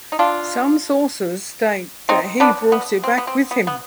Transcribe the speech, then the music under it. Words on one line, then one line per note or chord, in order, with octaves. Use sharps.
Some sources state that he brought it back with him.
D#4
D4 F4
C4 D#4
B3 D4
B3
C4
B3
C4
B3
B3